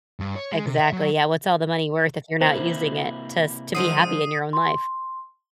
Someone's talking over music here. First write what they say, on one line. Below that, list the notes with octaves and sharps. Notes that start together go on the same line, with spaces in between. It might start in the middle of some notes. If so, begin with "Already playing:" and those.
Exactly. Yeah, what's all the money worth if you're not using it to s to be happy in your own life?
G2
C#5
G#3
C3
E5
F#3
C3 A#3 E4 C5 A#5
D3 F3 G#3 D#6 C7 D#7
C6